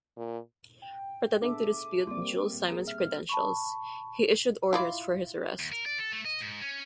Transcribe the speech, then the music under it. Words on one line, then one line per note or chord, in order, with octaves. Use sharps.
Pretending to dispute Jules Simon's credentials, he issued orders for his arrest.
A#2
G5
B3 D4 G#4 A4 B4 E5 D6
G3 A#3 C4 F4 D5
D6
G#4 A#4 A#5
E5 F6
A5 B5 C#6
E4 F4 D5
D#2
A#4
D5
A4
A3
D#5
G#2
C#4